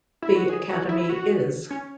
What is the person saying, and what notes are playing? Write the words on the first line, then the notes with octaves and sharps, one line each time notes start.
The Academy Is...
E4
F#4
G#4
F#4
E4
E4
F#4
C#4